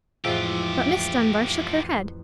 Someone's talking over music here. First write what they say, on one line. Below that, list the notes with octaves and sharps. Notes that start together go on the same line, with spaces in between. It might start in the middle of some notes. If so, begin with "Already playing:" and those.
But Miss Dunbar shook her head.
A1 F2 F3 G#3 F4 G4 E5